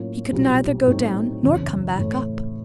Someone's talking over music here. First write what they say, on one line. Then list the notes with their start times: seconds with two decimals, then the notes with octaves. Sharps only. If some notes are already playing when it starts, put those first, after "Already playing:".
He could neither go down nor come back up.
Already playing: A2 F#3 A#3 C#4 F4
0.32 B1 A#2 G3 C4
0.87 A2 F#3 A3 C4 D#4
1.43 F#1 E2 C#3
1.98 A2 E3 A3